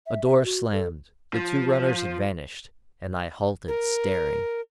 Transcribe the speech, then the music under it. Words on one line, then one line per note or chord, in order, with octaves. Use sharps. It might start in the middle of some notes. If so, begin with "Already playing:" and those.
A door slammed, the two runners had vanished, and I halted staring.
E5
E5
F#4
A4
F3
A#4